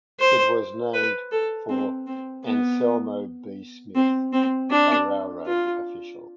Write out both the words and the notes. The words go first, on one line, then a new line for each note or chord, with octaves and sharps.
It was named for Anselmo B. Smith, a railroad official.
C5
B4
A4
C4
C4
B3
C4
C4
D4
F4